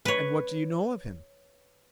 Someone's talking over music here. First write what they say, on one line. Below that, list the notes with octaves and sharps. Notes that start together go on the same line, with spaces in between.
"And what do you know of him?"
B4 C#5